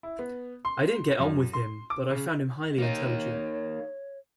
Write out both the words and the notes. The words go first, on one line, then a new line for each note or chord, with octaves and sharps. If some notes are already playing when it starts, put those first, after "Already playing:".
I didn't get on with him but I found him highly intelligent.
E4
B3
C6
F#2
C6
D6
C#3
A#3 D#4 C#5